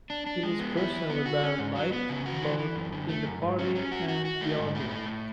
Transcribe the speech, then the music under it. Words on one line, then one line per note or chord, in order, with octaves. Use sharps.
He was personally well-liked, both in the party and beyond it.
D4
D4
G#3
B3
E4
E3
B3
F#4
C#4
G#2
F#3
B3
C#3
F#4
E3
E3
F#2
D3
A3
F#2
G#2
C#4
C#4
F#4
F#4
F#4
A3
G#2
A3
A2
A2